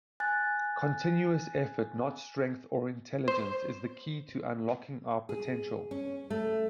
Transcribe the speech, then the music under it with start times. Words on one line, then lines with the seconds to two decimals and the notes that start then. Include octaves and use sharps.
Continuous effort – not strength or intelligence – is the key to unlocking our potential.
0.20 G#5 F#6 A6
3.28 C5
5.29 G#4
5.91 C#4
6.30 A3